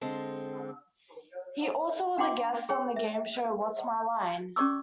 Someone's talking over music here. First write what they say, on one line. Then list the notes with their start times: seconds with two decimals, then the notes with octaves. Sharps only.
He also was a guest on the game show What's My Line?
0.01 D3 G#3 C4 A4
2.18 D4 F#5 G5 C6 D6
2.69 G#4 C#5 G5
2.96 E5
4.56 C#4 G4 D5 C#6 D6 E6